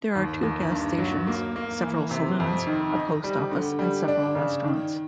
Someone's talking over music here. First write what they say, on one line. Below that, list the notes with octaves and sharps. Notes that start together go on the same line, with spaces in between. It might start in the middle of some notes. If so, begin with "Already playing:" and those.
There are two gas stations, several saloons, a post office, and several restaurants.
D#2
D#2
G2
F#3
A#3
A#3
E3
C3
F2
D#3
D#4
G3
D3
G3
D4
C#3
D#3